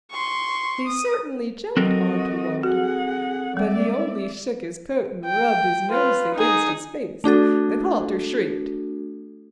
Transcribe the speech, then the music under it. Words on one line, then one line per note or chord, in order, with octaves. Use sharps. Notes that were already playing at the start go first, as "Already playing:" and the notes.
He certainly jumped on to Walter, but he only shook his coat and rubbed his nose against his face; and Walter shrieked.
C6 C#6
D#6
F#3 C4 F#4 A4 A#4 D#5
F#4 G#4 F#5
G3 G#3 D5 E5
G5
F4 B4
D#4 G#4
A3 D4 F#4 A4